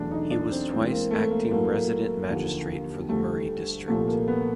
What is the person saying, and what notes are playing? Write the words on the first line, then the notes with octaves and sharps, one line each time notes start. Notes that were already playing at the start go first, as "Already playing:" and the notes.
He was twice acting resident magistrate for the Murray district.
Already playing: E2 B2 F#3 A3 D4
D#4
D4
C4
A2 E3 G#3 C4
A#3
A3
A#3
A2 F#3 A3 A#3
D#2 D3 F3
D2 D3 G3 A3
C2 A#2 F3 A3
A#3
B3